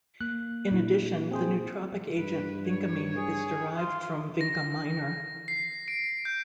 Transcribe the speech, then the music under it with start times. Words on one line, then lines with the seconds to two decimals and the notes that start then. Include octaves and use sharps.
In addition, the nootropic agent vincamine is derived from "Vinca minor".
0.21 A#3 F#6
0.71 A#2 D4 E4
1.31 C4 G#4 C5
2.17 G2 B4
2.68 C#5
3.17 G#4
3.77 F4 C6
4.41 A#6
5.48 C7
5.88 D7
6.25 G6